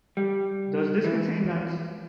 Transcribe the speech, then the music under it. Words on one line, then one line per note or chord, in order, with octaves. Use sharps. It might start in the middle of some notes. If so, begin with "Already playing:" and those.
Does this contain nuts?
G3
E3